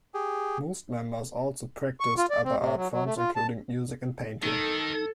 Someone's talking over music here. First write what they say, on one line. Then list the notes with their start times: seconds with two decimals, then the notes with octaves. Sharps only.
Most members also practiced other art forms including music and painting.
0.14 G4 G#4
2.00 C#6
2.18 F4
2.30 D5
2.45 C4
2.58 C3
2.76 F#3
2.92 F#3
3.06 A3
3.17 F4
3.36 A5
4.43 D#3 D#4 A4